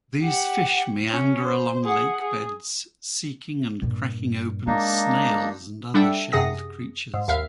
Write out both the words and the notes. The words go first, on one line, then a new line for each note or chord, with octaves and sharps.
These fish meander along lakebeds, seeking and cracking open snails and other shelled creatures.
G4 F#5
C#4
C5
G#4 F#5
G#4
G2 A#2
G#3 A#3 D4 D#4
G3 D4 A4 E5 F#5 G5
F#2 C3 G#4 F#5 D#6 A#6
G#2
D#2 E5 F5 F6